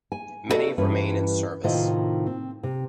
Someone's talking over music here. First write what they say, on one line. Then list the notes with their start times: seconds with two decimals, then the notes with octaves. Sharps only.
Many remain in service.
0.12 G#5
0.49 E4 F#4 A4 D5 D#5
0.78 G2 E3 C#4 B4
1.64 A2 C3 D#3 F4 C5 D#5
2.26 C4
2.63 C3